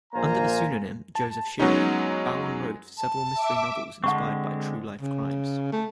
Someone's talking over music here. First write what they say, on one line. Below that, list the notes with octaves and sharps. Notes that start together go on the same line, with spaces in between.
Under the pseudonym "Joseph Shearing", Bowen wrote several mystery novels inspired by true-life crimes.
A#1 A#3 C5 F5 G#5 A#5
A5
F#3 G#3 B3 C#4 D#4
A5
E5 D6
D3 G#3 C4 F#5 A5 C#6
C#3
A3